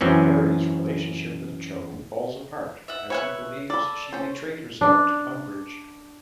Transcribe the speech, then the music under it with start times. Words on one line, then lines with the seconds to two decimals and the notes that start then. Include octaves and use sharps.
Harry's relationship with Cho falls apart, as he believes she betrayed herself to Umbridge.
0.01 F#2 E3 C4 C#4
2.88 E5 F#5
3.10 B4 C#5 E5 G#5 F#6
3.70 A4 D5 B5
4.12 C#4 C5
4.81 D4